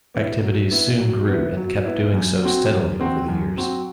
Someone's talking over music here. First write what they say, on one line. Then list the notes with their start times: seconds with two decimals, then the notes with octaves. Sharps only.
Activities soon grew and kept doing so steadily over the years.
0.15 B3 E4
0.43 F#3
0.72 B3 E4
1.00 F#3
1.29 B3 E4
1.57 F#3
1.85 B3 E4
2.14 F#2
2.42 F#3 C4 F#4
2.71 F#2
3.00 F#3 C4 F#4
3.28 F#2
3.57 F#3 C4 F#4